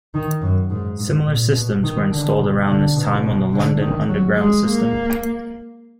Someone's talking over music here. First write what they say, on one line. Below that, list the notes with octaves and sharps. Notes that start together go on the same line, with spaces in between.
Similar systems were installed around this time on the London Underground system.
D#3
F#2
G#2
G#2
A#2
B2
D#3
D3
B2
D3
B2
B2
D3
D#3
F#3
G#3
A#3